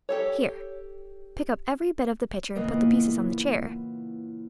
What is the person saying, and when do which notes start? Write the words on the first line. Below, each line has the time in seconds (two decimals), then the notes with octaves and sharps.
Here, pick up every bit of the pitcher and put the pieces on the chair.
0.09 G4 A4 C#5
2.55 A#2 C#3 E3 A#3 B3 D#5